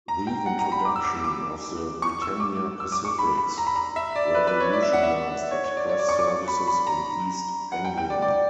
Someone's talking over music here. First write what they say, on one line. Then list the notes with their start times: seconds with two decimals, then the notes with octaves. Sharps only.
The introduction of the Britannia Pacifics revolutionised express services in East Anglia.
0.08 A#5
0.27 G5
0.46 F#5
0.59 A#5
0.72 B5
0.85 D6
0.96 E6
1.04 D6
1.15 E6
1.24 D6
2.02 C#6
2.22 E6
2.40 D6
2.80 E6
2.92 D6
3.05 C#6
3.19 B5
3.38 B5
3.58 A#5
3.67 B5
3.76 A#5
3.96 E5
4.16 D5
4.35 B4
4.47 B4
4.60 C#5
4.73 D5
4.83 E5
4.93 F#5
5.03 E5
5.51 C#5
5.64 C#5
5.77 D5
5.89 C#5
5.99 D5
6.09 C#6
6.19 D6
6.28 C#6
6.48 B5
6.67 B5
6.87 A#5
7.72 F#5
7.85 G5
7.98 G5
8.10 D5
8.22 D5